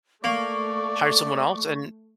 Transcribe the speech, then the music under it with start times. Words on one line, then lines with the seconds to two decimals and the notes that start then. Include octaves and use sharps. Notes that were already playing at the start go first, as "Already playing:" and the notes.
hire someone else, and
0.24 A3 A#3 D5 C#6